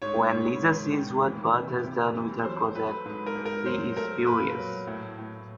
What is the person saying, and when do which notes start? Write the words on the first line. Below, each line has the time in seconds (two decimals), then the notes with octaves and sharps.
When Lisa sees what Bart has done with her project, she is furious.
0.02 G#2 C#5
0.32 G#2
0.62 G#2
0.92 D#3
1.24 E3
1.53 C3
1.84 C3
2.14 E3
2.44 F#3 C5
2.75 A3 B4
3.05 G#2 B4
3.26 A#4
3.35 G#2
3.45 A#4
3.66 F#3 C5
3.97 A3 A#4
4.26 A#2 B4
4.58 F#3
4.87 A2
5.18 A2